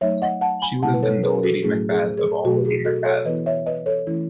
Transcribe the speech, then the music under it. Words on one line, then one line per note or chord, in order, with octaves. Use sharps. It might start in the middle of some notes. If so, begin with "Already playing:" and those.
She would have been the Lady Macbeth of all Lady Macbeths.
F#3 A3 D#4 C#5 E5
D#5 F#5
F#5 A5
G#5 B5
B2 G#3 B3 E4 F#5 A5
B4
A4 C#5
G#4 B4
F#4 A4
A2 F#3 A3 C#4 E4 G#4
G#4
G#4
B2 F#3 A3 F#4
G#4
F#4 A4
A4 C#5
E3 B3 E4 B4 D#5
C#5 E5
B4 D#5
A4 C#5
E3 A3 C#4 E4